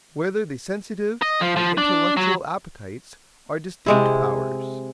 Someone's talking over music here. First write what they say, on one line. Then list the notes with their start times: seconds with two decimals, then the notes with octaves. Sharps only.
Whether the Sensitive and Intellectual Appetites Are Distinct Powers?
1.22 D#5
1.41 F3
1.56 F3
1.78 D4
2.17 F#3
3.86 C3 G#3 E4